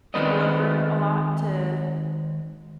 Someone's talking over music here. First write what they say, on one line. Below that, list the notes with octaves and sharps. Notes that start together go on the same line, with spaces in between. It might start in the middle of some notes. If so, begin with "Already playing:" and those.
people over a lot to
D#3 G#3 C4 B4 D5 D#5